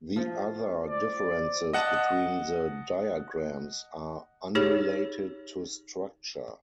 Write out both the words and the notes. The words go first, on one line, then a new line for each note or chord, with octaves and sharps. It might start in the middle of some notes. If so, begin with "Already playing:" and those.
The other differences between the diagrams are unrelated to structure.
F3
D5
D#5 F#5 A5
D#4 G4 G#4 C#5